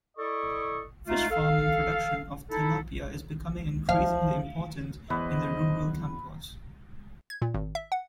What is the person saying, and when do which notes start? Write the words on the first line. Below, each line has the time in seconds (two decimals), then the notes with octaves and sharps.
Fishfarming production of Tilapia is becoming increasingly important in the rural campos.
0.18 E4 A4 D5 D#5 C#6
1.07 G#3 A3 D#4 F4
1.30 A4 F5
2.50 D#4 E4 A4
3.89 F3 F5
5.10 E2 E3 B4 C5 D#5
7.30 G#6
7.42 A#2
7.54 G#1
7.75 E5
7.92 F#5